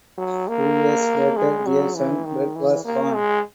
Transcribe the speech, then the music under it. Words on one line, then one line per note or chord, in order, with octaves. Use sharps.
Two years later their son Bret was born.
F#3
A#3
G#3
F#3
E3
D#3
E3
A#3
G#3